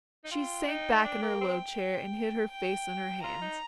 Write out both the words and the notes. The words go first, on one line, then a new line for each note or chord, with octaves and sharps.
She sank back in her low chair and hid her face in her hands.
D#4
F4 G5
D#4
D4
A#3
C4
G5
F4 A#5
D#4